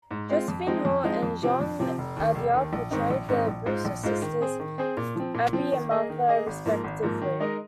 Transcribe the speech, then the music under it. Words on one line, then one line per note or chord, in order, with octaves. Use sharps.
Josephine Hull and Jean Adair portray the Brewster sisters, Abby and Martha, respectively.
G#2
G#3 C4 F4
F2
F3 G#3 C4 D#4
F2
F3 G#3 C4 D#4
F2
C3 F3 C4
F2
C3 F3 C4
F1
D#2 D#3
F1
D#2 D#3
A#1
G#2 D#3 C4 D#4
A#1
G#2 D#3 C4 D#4
A#1
G#2 G#3 F4 C5
A#1
G#2 G#3 F4 C5
D#3
C4 G#4 C5
D#3
C4 G#4 C5
A#2
F3 C4
A#2
F3 C4
D#3
A#3 G#4 D#5
D#3
A#3 G#4 D#5
G#1
G#2 F3 A#3
G#1
G#2 F3 A#3
D#3
G#3 D#4 A#4 D#5